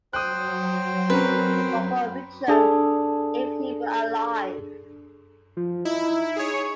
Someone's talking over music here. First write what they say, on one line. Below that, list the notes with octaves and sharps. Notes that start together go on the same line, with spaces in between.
Robert Mitchum, if he were alive.
F#3 C5 G5 D#6 F#6
C4 C#4 A#4 B4
D4 G#4 A4
F3
D#4 E4
G#4 C#5
C#6